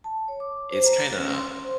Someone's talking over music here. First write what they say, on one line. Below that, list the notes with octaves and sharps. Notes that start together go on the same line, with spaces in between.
it's kinda
A5
C#5
D6
C5
A#5
C#4
C6
C5